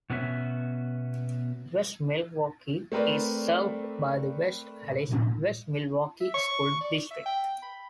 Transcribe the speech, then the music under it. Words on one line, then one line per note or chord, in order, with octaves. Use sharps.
West Milwaukee is served by the West Allis - West Milwaukee School District.
B2 B3 C#4 F#4 A#4 E5
A3 C4 A#4 B4 D5
E5
C#6
D5
E5
G5
B5